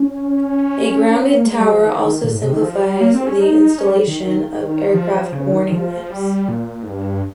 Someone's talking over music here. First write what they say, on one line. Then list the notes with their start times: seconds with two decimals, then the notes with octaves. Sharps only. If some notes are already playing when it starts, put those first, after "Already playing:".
A grounded tower also simplifies the installation of aircraft warning lamps.
Already playing: C#4
1.08 C#4
1.21 C4
1.34 A#3
1.46 G#3
1.59 G3
1.72 F3
1.85 D#3
2.05 D#3
2.24 A#2
2.33 G#2
2.43 C3
2.53 D#3
2.62 F3
2.81 G3
3.01 A#3
3.14 C4
3.27 C#4
3.40 D#4
3.78 C#4
3.88 G3
4.08 D#3
4.94 F3
5.13 F3
5.32 C#3
5.52 D#3
5.72 F3
6.10 G3
6.49 A#2
6.83 G#2
6.87 G2